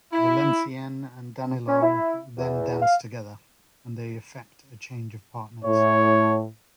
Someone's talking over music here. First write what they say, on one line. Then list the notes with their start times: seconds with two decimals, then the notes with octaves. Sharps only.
Valencienne and Danilo then dance together, and they effect a change of partners.
0.13 E4
1.67 C#4
1.82 E4
2.37 E2
2.81 F5
5.65 A2 C#5